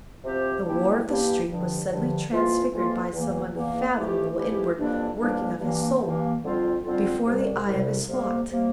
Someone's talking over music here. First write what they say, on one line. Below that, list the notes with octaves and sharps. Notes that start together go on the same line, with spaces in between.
The war of the street was suddenly transfigured by some unfathomable inward working of his soul, before the eye of his thought.
C3 F3 C4 G4
G2 E3 A#3 E4 G4
G2 E3 A#3 E4 G4
G2 D3 F3
G2 D3 F3
F2 E3 A#3 F4
F2 E3 A#3 F4
E2 E3 A#3
E2 E3 A#3
F2 E3 A3 E4 G4
F2 E3 A3 E4 G4
F2 E3 G3 A#3 D4
F2 E3 G3 A#3 D4
G2 E3 A#3
G2 E3 A#3
F2 D3 G3 C4 F4
F2 D3 G3 C4 F4
C2 C3 G3
C2 C3 G3
D2 C3 G3 A#3
C3 G3 A#3